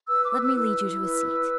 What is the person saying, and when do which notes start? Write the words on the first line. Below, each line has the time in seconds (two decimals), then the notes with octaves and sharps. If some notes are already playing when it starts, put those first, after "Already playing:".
Let me lead you to a seat.'
0.08 B4 E6
0.25 D6
0.32 B4 E6
0.43 E6
0.56 E4 E6
0.79 E4
1.02 B4
1.27 B4